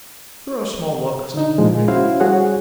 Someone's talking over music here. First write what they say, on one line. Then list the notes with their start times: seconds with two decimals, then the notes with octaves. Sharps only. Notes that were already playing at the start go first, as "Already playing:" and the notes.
Throw a small Locust into the rigging.
1.34 D3 D4 D#4
1.58 A#2 F3 G#3
1.88 C#4 E4 F#4 C5 F5
2.20 G3 F#4 G#4 C#5 F#5